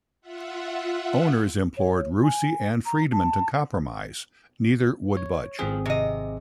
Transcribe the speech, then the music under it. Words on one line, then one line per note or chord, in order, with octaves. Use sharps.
Owners implored Rusie and Freedman to compromise; neither would budge.
F4 E5 F#5
C#5
G#5
A#5
A5
C#5
G#1 F3 C4 G#4
C3 D#5